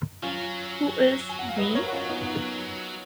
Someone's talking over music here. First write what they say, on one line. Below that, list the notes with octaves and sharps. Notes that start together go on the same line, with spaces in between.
Who is "we"?
F#3 C#4 F4
G#5
F#5
F5
B4 D#5
A#4 C#5
F#4
C#4 F4
B3 D#4
B3